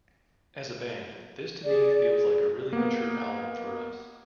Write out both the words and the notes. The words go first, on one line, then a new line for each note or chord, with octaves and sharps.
As a band, this to me feels like a really mature album for us.
G#4 D5
G#4
A#3 B3